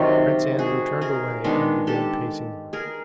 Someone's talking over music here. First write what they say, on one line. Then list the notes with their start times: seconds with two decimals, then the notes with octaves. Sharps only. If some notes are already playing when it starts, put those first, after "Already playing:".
Prince Andrew turned away and began pacing the room.
Already playing: C3 D#3 F#3 F4 G4
0.59 F#4 G#4
1.01 G#4 A#4
1.44 D#3 G#3 B3 D4
1.87 G4 A4
2.73 G#4 A#4